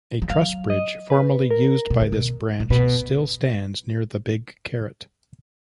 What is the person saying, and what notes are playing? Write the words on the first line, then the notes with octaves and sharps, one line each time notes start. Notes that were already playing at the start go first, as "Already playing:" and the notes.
A truss bridge formerly used by this branch still stands near the Big Carrot.
F3
F#3 F5
D#5
B4
A#4
B2
C#3
B2
A#2
B2 B4